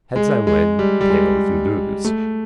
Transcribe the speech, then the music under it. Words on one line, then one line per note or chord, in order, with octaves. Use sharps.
Heads I win tails you lose.
G#3
G#3
G3
G3
G#3
A3